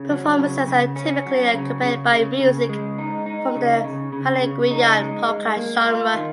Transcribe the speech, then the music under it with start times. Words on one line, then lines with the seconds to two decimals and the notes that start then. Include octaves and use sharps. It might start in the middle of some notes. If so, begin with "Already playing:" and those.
Performances are typically accompanied by music from the Paraguayan polka genre.
Already playing: C#3
0.10 F#3
0.39 C#3
0.67 C#3
0.96 C#4
1.26 F#3
1.54 C#3
1.82 C#3
2.12 C#3
2.40 C#3
2.69 G#3
2.98 D#4
3.26 D#4
3.55 C#3
3.84 C#3
4.13 C#3
4.42 C#3
4.71 D#4
4.99 G#3
5.27 G#3
5.57 A#3
5.86 F4
6.14 D#3